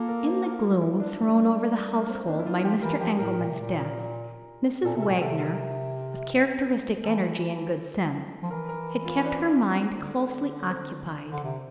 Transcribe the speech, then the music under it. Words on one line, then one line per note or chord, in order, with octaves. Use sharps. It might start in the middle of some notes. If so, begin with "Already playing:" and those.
In the gloom thrown over the household by Mr. Engelman's death, Mrs. Wagner, with characteristic energy and good sense, had kept her mind closely occupied.
Already playing: A#3 F4 A4
A#4
C5
A#4
F4
E4
D4
G3
A#3
A#3
C4
D4
E4
F4
F3 G4
E3 A#4
F3 G4
A2 A#4
A#2
C3
A#2
A#2 A4
C3
A4
A#2
C3 A4
A#4
E3 A4
F3
E3 A#4
A#4
F4
C4
D4
D3
C4
D3
C3